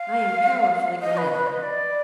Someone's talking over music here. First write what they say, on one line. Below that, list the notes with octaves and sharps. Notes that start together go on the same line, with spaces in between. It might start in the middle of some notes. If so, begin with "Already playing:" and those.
I am powerfully glad.
Already playing: F5
D#5
B4
B4
D#5
D5